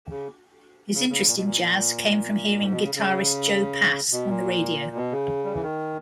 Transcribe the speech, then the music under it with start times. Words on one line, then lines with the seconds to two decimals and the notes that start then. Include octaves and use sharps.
His interest in jazz came from hearing guitarist Joe Pass on the radio.
0.10 C#3
0.94 C#3
1.10 C#3
1.26 A#2
1.36 B2
1.44 A#2
2.61 G#2
2.72 B2
2.84 C#3
2.95 C#3
4.12 B2
4.29 A#2
4.96 B2
5.12 C#3
5.44 G3
5.54 E3
5.62 D#3